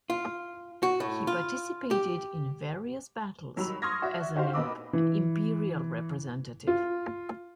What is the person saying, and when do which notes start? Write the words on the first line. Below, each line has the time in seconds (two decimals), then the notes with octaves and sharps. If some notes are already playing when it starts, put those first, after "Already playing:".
He participated in various battles as an imperial representative.
0.10 F4
0.83 F#4
1.00 A2
1.27 F4
1.91 G4
3.56 D#3 F#3 G3 B5 E6 F7
3.82 C6 C#6 D#6 F6 G#6 A#6
4.02 F#4 D5 E5
4.35 D#4 F#4 G4 C5 F5
4.53 A#2 B3 D#5 B5 D6 E6
4.93 E3
6.67 F4